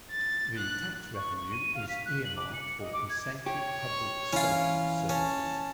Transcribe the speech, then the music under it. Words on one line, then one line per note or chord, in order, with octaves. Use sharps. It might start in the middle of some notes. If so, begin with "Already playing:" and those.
The tax revenue is earmarked for essential public social services.
A6
F#6
C#6
C#6
D#7
F5
B6
F#6
F#7
D6
C#7
D#5
D6
G#6
G4 C#5
E3 C#4 E4 F4
C#4 A5